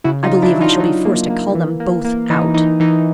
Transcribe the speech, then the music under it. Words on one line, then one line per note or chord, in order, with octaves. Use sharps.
I believe I shall be forced to call them both out.
C#3 E4 F#4
D#4 F4
C#3
D4 E4
F#3
D#4 F4
F#3 D#4
A#3
A#3
E3
A#3
A#3
E3 D#4
E3 D#4
E3 D#4